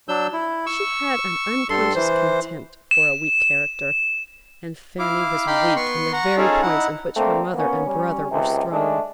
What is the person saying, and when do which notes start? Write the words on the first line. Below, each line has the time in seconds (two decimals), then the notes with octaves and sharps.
She had an unconscious contempt for a weak character; and Fanny was weak in the very points in which her mother and brother were strong.
0.08 F#3 D4 E6 G6
0.33 E4
0.66 C#6 E6
1.70 G2 A4 C6
1.95 E3 C5
2.91 E7
4.99 E4 F5 D6
5.47 D#4 F5 G5 B5 C6 D6
5.76 B3 C6 C#6
6.13 F#5 A#5 C#6
6.37 C#4 D#4 F4 G#4 A4
6.62 D#4 E4 F#5
7.15 D3 A3 A#3 C4
7.54 A#3 B3 C#4
7.86 G3 C#4
8.30 C#2 C3
8.70 D3 G#3 A3 D4